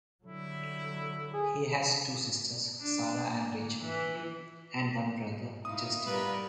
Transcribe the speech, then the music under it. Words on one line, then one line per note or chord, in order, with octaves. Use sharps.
He has two sisters, Sarah and Rachel, and one brother, Justin.
D3 F#3 G3 E4
G#4
D4
A#3
E3
D#4 E4 F5 D#6
G3 B3 A#4 B4